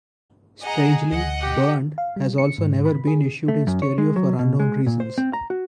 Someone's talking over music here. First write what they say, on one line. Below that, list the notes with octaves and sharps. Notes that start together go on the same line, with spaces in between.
Strangely, "Burned" has also never been issued in stereo for unknown reasons.
G#4 D#5 F#5 A#5
D2 D#5 F#5
G4
F5
G3
C#7
G#2
B5
G#4
A3
F#2
C#5
G#3
F#3
B2
G#3
A#2
C5
C4
A#5
F#4